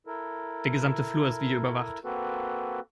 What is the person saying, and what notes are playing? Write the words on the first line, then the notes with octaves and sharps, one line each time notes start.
Der gesamte Flur ist videoüberwacht.
E4 A4 A#4
A#3 C4 F#4 A4 B4